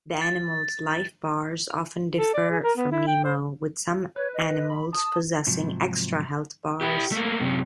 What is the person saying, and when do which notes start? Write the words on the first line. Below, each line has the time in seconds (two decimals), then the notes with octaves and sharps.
The animal's life-bars often differ from Nemo, with some animals possessing extra health bars.
0.21 A6
2.19 A4
2.34 D5
2.50 G#4
2.63 A#4
2.77 B3
2.91 E4
3.07 G5
3.24 C5
4.16 B4 C#5
4.34 D#5
4.70 B5
4.93 A5 D#6
5.47 G#2 C3 F3 F#3
6.81 E4 G4
7.12 A3 A#3
7.40 F#2 C3